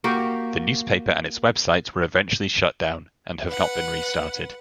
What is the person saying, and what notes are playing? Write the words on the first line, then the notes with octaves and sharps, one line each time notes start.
The newspaper and its website were eventually shut down and have not been restarted.
A#3 F#4 G4 A#4
B4 F#5